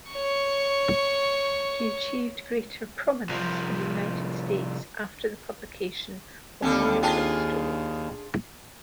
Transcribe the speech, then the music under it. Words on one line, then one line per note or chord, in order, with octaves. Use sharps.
He achieved greater prominence in the United States after the publication of "Monica's Story".
C#5 C#6
C2 F3
D#2 D3 G3 C4 A4
D4 F4 G#4 G5 A5